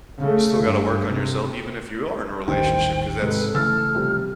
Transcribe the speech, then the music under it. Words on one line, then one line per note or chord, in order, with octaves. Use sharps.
you still gotta work on yourself even if you are in a relationship, 'cause that's
C#3 A3
G2
C3
D#1 A1 D#3 C5 G5
G#2 C3 G#3 A4 B4
C#3 E3 A3 E6 F6 A6
C3 F3 G3